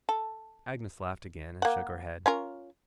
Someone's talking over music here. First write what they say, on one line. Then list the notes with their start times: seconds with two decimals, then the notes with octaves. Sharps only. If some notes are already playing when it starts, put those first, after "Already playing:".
Agnes laughed again, and shook her head.
0.09 A4
1.62 A#3 F#5
2.26 C#4 F4 A#4